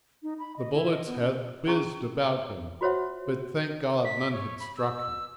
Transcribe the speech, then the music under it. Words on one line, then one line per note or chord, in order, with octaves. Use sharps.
The bullets had whizzed about him, but, thank God! none had struck him.
D#4
B5
D#5
E4
D#5
B3
C#4
C#4 G#4 A#5 C#6
F4 F#4 C5 C#5 E5 F#5
B6
C#5
B5
E6